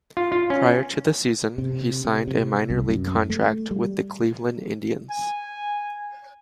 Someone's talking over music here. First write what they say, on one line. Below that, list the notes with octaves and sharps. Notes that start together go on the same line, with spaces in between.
Prior to the season, he signed a minor league contract with the Cleveland Indians.
F4
F4
C#4
C3
C3
C3
C2
F#2
A3
G3
G#5